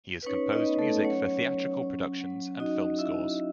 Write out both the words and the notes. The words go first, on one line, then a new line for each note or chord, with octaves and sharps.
He has composed music for theatrical productions and film scores.
B4
C#4 D#4 C#5
D#4 D#5
B3
A3 A4
F#3 C#4 C#5
F#3
C#4
F#3
D#4 F#4 D#5
D#4 E4 E5